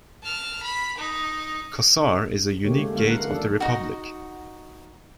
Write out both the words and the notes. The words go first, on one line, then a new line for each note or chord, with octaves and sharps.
Qusar is a unique gate of the republic.
A5 F6
B5
D#4
D3 A3 A#3 G4 C#5
G#3 A3
D3 G#3 A#3 C#4 F5
D#3 G#3 A#3 B3 A#4 F#5
D#3 F3 D4 A4 A#4 D5
D#4 F#4